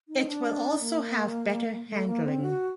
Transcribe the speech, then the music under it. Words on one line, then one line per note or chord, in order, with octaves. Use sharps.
It will also have better handling.
D#4
D4
A#3
A3
A#3
C4
F#4